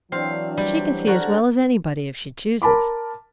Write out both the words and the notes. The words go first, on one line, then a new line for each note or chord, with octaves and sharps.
She can see as well as any body, if she chooses.
E3 F#3 C4 D4 F5
G3
D3 F#4 A#4
A#4 A5 B5 D6